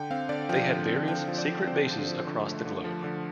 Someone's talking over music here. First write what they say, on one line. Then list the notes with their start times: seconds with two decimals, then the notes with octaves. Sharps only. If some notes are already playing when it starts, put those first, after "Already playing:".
They had various secret bases across the globe.
Already playing: D3 G5
0.10 C4 F5
0.29 D3 D5
0.49 F3 G5
0.69 D3
0.88 C4
1.08 D3 G5
1.28 F3
1.38 D5
1.48 D3
1.67 C4 C5
1.86 D3
2.07 F3
2.25 D3 C5
2.46 A3
2.65 D3
2.84 F3
3.04 D3